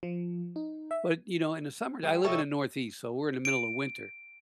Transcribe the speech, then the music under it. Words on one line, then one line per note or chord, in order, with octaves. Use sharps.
but, you know, in the summer- I live in the Northeast, so we're in the middle of winter,
F3
D#4
E5
G3 G#4
C3 E4 A4 C#5 D#5 E5
D7